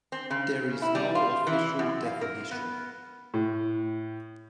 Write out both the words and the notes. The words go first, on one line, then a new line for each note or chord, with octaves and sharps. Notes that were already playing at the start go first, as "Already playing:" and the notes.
There is no official definition.
C4
C#3
E4
G3
F4
E3
F#2
F5
A#4
B3
A2